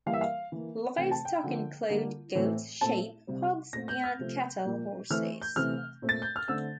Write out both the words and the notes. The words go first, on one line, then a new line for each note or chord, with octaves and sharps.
Livestock include goats, sheep, hogs, and cattle, horses.
E3 G3 A#3 F5
E5
F5
E3 A#3
C3 E3 A3 C4 G5
A5
G5
D3 F3 A#3
D3 G3 A#3
A2 E3 A3 C4
A#2 A3 C4 A5
C3 G3 C4
A#2 A3 C4 A#6
G6
F6
C3 F3 A3 C4
A#2 F3 A#3
E3 A3 C4 F6
G6
C3 E3 A3 C4 F6
A#2 A3 C4
A6
G6
F6
D3 A3 C4 E6